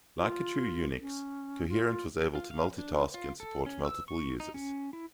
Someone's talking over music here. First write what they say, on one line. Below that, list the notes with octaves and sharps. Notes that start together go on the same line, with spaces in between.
Like a true Unix, Coherent was able to multitask and support multiple users.
F4
C#4
F4
F4
F5
D4
F4
A4
C#4
E6
C#6
D#4
C#4
E4